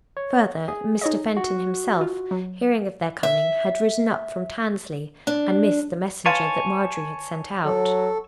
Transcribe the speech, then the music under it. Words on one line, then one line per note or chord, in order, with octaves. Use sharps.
Further, Mr. Fenton himself, hearing of their coming, had ridden up from Tansley, and missed the messenger that Marjorie had sent out.
C#5
G#4
D#4 C#5 D#5
F#4
F4
F#3
E5
D4
B4 C#5 F5 G#5 A5 C6
F#3 A4